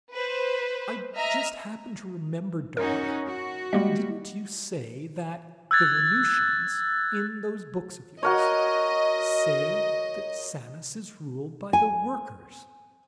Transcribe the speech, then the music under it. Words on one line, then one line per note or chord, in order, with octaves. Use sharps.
"I just happened to remember, doc; didn't you say that the Venusians, in those books of yours, say that Sanus is ruled by the workers?"
B4 C5
D#5 E5 A#5 F6
C#4 D#4 F#4 A#4
F#4
G3 G#3 A#3 D#5
E6 F#6 G#6 A6
F#4 A#4 C#5 D#5
G#5